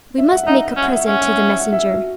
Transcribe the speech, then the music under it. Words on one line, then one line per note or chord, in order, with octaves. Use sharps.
"We must make a present to the messenger."
E5
F#5
D#4 E5
F#5
E5
C#4
F#5
E5
C#4 F#5
E5
F#5
E5
F#5
E5
F#4